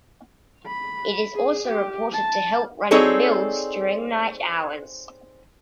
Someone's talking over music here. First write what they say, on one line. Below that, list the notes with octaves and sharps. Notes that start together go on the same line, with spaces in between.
It is also reported to help running mills during night hours.
B5
G#4
G4
A5
C4 D#4 G#4 A4 C#5 D5